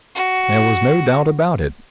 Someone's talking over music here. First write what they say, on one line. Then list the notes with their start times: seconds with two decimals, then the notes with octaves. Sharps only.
There was no doubt about it.
0.15 F#4